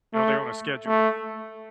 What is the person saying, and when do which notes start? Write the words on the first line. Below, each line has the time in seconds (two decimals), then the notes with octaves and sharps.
you know, they're on a schedule.
0.14 A3
0.87 A3